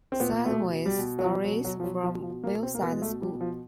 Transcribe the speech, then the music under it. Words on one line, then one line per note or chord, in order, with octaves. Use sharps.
Sideways Stories from Wayside School.
C4
A#2 B3
B2 A3
B2
G3
B2
F#3
B2 F3
F#3
B2
F#3
B2 F3
F#3
B2 F3
F3
B2
A#3
B2
C4
A#3
B2 B3
G#3
A3
B2
G3
B2
F3